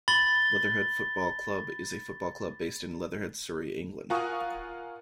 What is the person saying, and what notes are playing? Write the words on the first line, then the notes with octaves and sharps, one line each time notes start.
Leatherhead Football Club is a football club based in Leatherhead, Surrey, England.
B5 A6 G7
F4 A#4 F#5 G#5 C#6 D#6